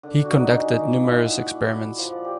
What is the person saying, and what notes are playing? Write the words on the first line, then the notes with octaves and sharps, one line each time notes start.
He conducted numerous experiments.
D3
F#4
D#4
G#4
A#2
E4
F#5
D6
F3
D5
G4